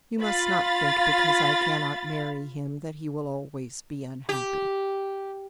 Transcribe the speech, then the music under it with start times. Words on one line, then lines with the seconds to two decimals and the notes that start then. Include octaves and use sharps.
You must not think because I cannot marry him that he will always be unhappy.
0.21 F4 F5 B5 A6
4.29 G4